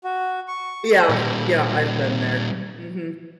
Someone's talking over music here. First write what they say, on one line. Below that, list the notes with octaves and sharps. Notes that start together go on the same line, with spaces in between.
Yeah, yeah, I've been there. Mhm.
F#4
C#6
A#2 G3